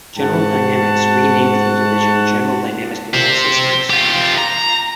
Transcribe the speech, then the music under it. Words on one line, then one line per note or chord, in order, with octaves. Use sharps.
General Dynamics renamed the division "General Dynamics Land Systems".
G#2 F#4 F#5 A5
G4 C5
F4 G4
A#5